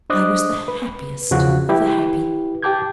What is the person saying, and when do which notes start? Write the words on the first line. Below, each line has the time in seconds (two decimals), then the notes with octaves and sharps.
I was the happiest of the happy.
0.10 D4 C5 D#5 D6 D#6 F#6
0.68 B4
1.31 E2 C#3 F3 F#4 F#6
1.69 E4 G4 B4
2.63 G4 G5 A5 D6 G6 G#6